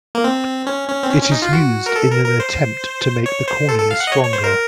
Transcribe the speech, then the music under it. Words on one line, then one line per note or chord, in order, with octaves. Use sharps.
It is used in an attempt to make the cornea stronger.
A#3
C4
C#4
C#4
C4
C#4
C#4
D#4
F4
F#4
A#4
A4
A#4
A#4
C5
C#5
C5
A4
A4
F5
F#5
D#5
C#5
C#5
C5
A#4